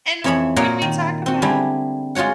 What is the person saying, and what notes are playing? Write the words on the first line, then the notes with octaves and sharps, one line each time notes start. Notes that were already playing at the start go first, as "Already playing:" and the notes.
And when we talk about
F2 E3 C#5 E5 B5
A#2 A#3 F#4 A#4 C#5 D#5
D#3
C4 F#4
D3 G3 E4 G#4
G#3 F4 F#4 C#5 F#5